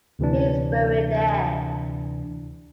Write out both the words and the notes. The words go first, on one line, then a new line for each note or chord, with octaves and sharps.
He is buried there.
D2 C3 E3 D4